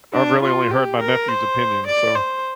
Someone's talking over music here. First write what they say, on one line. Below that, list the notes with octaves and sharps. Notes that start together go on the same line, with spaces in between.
I I've really only heard my nephew's opinion, so
D4
F4
G4
A#4
C5
D5
C5